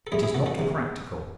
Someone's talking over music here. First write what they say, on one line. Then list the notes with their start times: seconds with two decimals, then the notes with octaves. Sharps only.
It is not practical.
0.07 A4
0.12 C2 C3 E3 A3 E4 G#4
0.23 E4 G#4
0.34 F#4 A4
0.46 F#4 A4
0.58 E2 C3 D#3 G#3 C#4